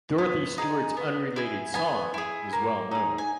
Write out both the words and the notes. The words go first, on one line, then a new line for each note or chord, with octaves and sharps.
Dorothy Stewart's unrelated song is well known.
B3
D#4 G#4
B3
E4 G#4
B3 G#5
E4 G#4
A#3
D#4 G#4
G#5